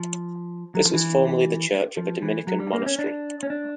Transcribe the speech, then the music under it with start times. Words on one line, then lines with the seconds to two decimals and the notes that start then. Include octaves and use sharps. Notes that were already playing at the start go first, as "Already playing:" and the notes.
This was formerly the church of a Dominican monastery.
Already playing: F3
0.75 F#3
0.85 F3
0.94 E3
1.97 F3
2.22 E3
2.47 F#3
2.60 G3
2.73 A#3
2.82 C4
2.86 C#4
2.99 D4
3.43 C#4
3.50 D4